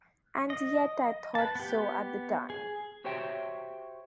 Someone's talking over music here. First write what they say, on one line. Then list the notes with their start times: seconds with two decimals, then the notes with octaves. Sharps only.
And yet I thought so at the time!
0.50 D#5
1.35 B4 A5
1.55 B3 G4
2.50 G#4
3.04 F#4 G4 C5 C#5 E5 G5